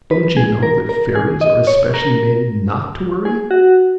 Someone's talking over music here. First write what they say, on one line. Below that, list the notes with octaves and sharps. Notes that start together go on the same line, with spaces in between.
Don't you know that fairies are especially made not to worry?
B4
G#4
A#4
A#4
G#4
D#5
C#5
A#4
G#4
F#4